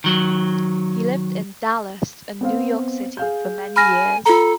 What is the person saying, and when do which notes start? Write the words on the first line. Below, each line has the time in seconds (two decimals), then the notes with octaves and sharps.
He lived in Dallas and New York City for many years.
0.04 D#3 F#3
2.41 B3 C4 F5
3.17 G#4 F5 G6
3.76 G#5 B5 F6 A#6
4.25 F4 A4 A#5